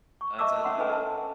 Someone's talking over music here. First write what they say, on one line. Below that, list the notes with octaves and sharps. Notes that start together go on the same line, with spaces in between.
Uh, is that, uh
C#6
D#5 E5 A5 C#6 D6 E6
C#4 F#5 B5 C6
C#4 A4 B4 D#5 G#5 B5
A#4 A5